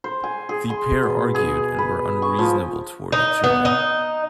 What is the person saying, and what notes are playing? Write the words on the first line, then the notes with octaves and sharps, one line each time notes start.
The pair argued and were unreasonable toward each other.
C5
G#5
G#4
C6
B2
G#4
B4
C#6
F3
D#4
B3
D#4